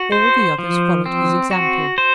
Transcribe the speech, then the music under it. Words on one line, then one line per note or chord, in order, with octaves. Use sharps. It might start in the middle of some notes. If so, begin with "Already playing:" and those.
All the others followed his example.
Already playing: F#4
C5
F3
C4
F#4
C5